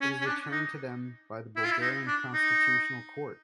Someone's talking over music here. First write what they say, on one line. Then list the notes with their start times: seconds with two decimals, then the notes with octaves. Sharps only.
It was returned to them by the Bulgarian Constitutional Court.
0.01 C#4
0.21 C#4
0.26 D4
0.52 D#4
1.56 E4
1.64 F4
1.71 E4
1.82 D#4
2.07 D4
2.34 D#4